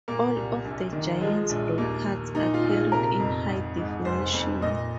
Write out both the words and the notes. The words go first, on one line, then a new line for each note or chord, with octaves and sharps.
All of the Giants broadcasts are carried in high definition.
A#2 A#3
C2
A#1
D#3
F3 G#3
A#1
D#2 A#3
D#2
A#2 D#4
F4
A#1
G#4
C3 A#4
F2
G#1
G#2
F1 C5
F2
A#2 D#5